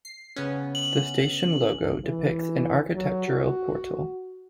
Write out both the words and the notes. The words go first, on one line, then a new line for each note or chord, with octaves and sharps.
The station logo depicts an architectural portal.
C7
C#3 B3 C#4
F#7
E3
F#3
F#4